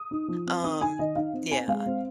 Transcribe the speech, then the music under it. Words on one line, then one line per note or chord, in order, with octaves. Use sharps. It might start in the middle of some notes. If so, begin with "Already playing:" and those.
um, yeah,
Already playing: D#6
D#4
F3
C4
D#4 D#6
D#4 G#5
D#3 D#5
D#4 F5
C4
C4 G#5
G#3 F5
C4